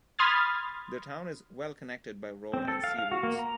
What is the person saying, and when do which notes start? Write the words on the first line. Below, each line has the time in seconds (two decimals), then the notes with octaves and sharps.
The town is well connected by road and sea routes.
0.19 B5 C6 D#6 F6 G#6 A6
2.54 C4
2.68 A4
2.84 F5
2.99 F5
3.11 F#4
3.23 A#3
3.39 A#5